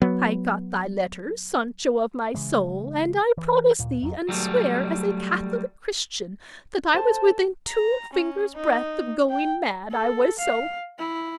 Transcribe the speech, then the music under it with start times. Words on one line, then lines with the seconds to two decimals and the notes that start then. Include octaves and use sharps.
I got thy letter, Sancho of my soul, and I promise thee and swear as a Catholic Christian that I was within two fingers' breadth of going mad I was so happy.
0.02 F#3 B3
2.34 C#3 E3 G#3
3.37 E3
3.79 D1 A#2
4.01 G1 F2 D#3 F#3
4.29 F#3 G3 A3
6.95 A4 C5 A5
7.68 A#5
8.13 C#4
8.55 D#4
9.30 G5
9.91 A4
10.39 F5
10.98 E4